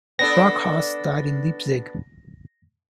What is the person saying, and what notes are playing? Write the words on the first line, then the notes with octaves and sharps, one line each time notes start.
Brockhaus died in Leipzig.
B3 D4 A4 A#6